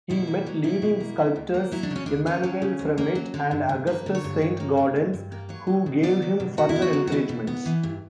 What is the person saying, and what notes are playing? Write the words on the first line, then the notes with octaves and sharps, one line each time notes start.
He met leading sculptors Emmanuel Fremiet and Augustus Saint-Gaudens, who gave him further encouragement.
B2 E4
A#3
F#3
B2 E4
B2
A#3
C#3
D2
A#3
F#3 E4
D4
C#3
C#4
D2 D4
A#3 C#4
F#3
C#3
D2
A#3
F#3
D3
G2
G2
A#3 B4
D3
C#5
G2
G2
A#3
D3
G2
G2
A#3
F#3 C#5
B2
B2
B3 D5
F#3
B2
B2 F#4
E4
B3
F#4
F#3
F#4
B2 E4
B2
B3
E3
G2